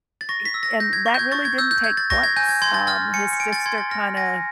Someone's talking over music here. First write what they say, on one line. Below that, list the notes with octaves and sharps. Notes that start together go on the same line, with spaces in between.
Eh, and that really didn't take place, um, his sister kinda
A6
C#6 A#6
B6
E6
A#6
G6 A#6
G#6
C#6
G6
G#6
C#6 A6
G#6
E6 G6
G6
G6 G#6
A6
C#6 A#6
G#6
G#5 G6
G#6
C6 G#6
A6
F6 A6
G#5 C#7
C#7
G#5 D7
A6
C6 G#6
A6
F6 A#6
G#5 A#6